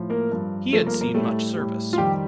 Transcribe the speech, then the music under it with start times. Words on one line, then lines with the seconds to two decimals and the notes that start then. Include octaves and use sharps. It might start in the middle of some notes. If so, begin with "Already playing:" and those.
He had seen much service.
Already playing: A2 F3
0.10 A#3 A#4
0.31 G2 F3
0.73 G2 F3 A3 A4
0.86 A#3 A#4
1.01 A#3 A#4
1.14 A2 G3 A3 A4
1.57 A2 G3
1.93 F4
1.98 F2 D#3 G3 G4